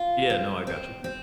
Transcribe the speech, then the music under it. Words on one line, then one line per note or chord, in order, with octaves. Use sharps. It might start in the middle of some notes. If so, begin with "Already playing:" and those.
Yeah, no, I gotcha.
Already playing: F4
C4
C4
C4